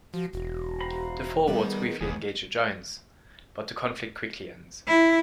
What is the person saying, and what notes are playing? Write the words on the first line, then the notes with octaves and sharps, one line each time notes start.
The Forwards briefly engage the Giants, but the conflict quickly ends.
F3 F#4
E1 F#4
C5 A#5 B5
D#3 G3 B3 G#4
E1 D#2 B3 G#4
E4